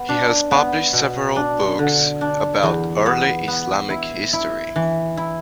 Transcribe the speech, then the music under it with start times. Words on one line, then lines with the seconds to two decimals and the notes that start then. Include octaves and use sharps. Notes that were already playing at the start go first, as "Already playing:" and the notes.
He has published several books about early Islamic history.
Already playing: B3
0.09 D4
0.51 B3
0.93 B2
1.36 D4
1.79 D3
2.21 D4
2.63 E2
3.06 B3
3.48 B3
3.90 E4
4.33 E4
4.76 E3
5.17 E4